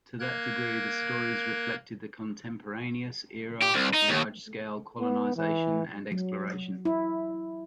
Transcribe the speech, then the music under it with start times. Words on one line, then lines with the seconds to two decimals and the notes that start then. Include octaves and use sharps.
To that degree, the stories reflected the contemporaneous era of large-scale colonization and exploration.
0.20 A#3 A#4 F#6 G#6
3.61 G4
3.74 C2
3.93 D#4
4.08 D#2
5.00 B3
5.36 E3
6.12 F#3
6.85 E4